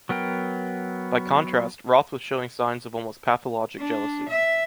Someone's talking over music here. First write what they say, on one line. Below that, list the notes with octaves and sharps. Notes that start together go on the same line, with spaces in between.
By contrast, Roth was showing signs of almost pathologic jealousy.
F#3 B3 A#4 G5
D4
E5